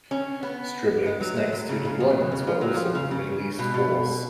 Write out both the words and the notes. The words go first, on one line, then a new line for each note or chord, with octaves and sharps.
"Stribling"'s next two deployments were also with the Middle East Force.
C#4
B3
G#3
F#3
G#3
F#3
C#3
C#3
F3
D#3
B2
C#3
F3
F#3
F3
C#3
C#3
B2
B2